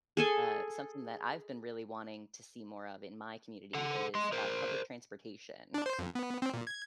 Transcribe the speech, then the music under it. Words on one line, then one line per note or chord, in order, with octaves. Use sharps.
Uh, something that I've been really wanting to see more of in my community is, uh, public transportation.
G#4 A4 G#5
A4 F#5
D#5 C6
A#4 C5
D4
C5
F2
B3
C4
A#2
G#6